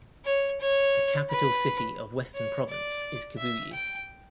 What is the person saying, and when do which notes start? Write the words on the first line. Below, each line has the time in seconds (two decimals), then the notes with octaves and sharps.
The capital city of Western Province is Kibuye.
0.25 C#5
0.60 C#5
1.30 B4
2.34 C#5
2.68 D5
3.38 E5
3.73 G5